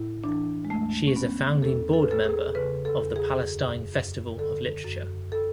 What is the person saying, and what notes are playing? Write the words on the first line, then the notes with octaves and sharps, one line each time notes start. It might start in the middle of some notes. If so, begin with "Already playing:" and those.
She is a founding board member of the Palestine Festival of Literature.
Already playing: A2 E4
E3 D4
G#3
E2 A3
C#4
D3 B3
E2 A4
A4
B4
E2 A4
G#4
C#3 B4
A4
E2
G#4
F#2
F#2
D3 A4
F#2
A4